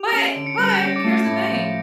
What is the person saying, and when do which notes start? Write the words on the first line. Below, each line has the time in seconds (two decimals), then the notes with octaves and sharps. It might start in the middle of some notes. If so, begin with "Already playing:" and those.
But but here's the thing,
Already playing: G4 F7
0.12 C#4
0.35 D3 D7
0.47 C#7
0.58 G3 A#6
0.70 A6
0.81 C#4 G6
0.96 D6
1.04 A3
1.12 D6
1.26 A2
1.49 F3